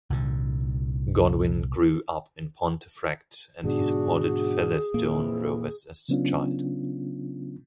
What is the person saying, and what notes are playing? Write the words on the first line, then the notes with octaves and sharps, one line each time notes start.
Godwin grew up in Pontefract and supported Featherstone Rovers as a child.
C2 A#2 D3
G#2 B2 D3 D4 F#4 G#4
F2 A#2 E3 A#3
C#3 F#3 B3 C#4 D4 F4